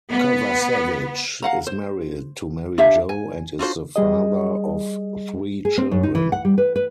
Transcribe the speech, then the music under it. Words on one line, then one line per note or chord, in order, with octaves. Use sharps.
Kovacevich is married to Mary Jo and is the father of three children.
B3
F5 F#5 A#5
C5
D4 G4 E5 F5
G#5
D4 F4 F#4 C5
G3 G#4 D#5
G#4
C4
F#2
D#4
E3
F#5
G3
B4
B4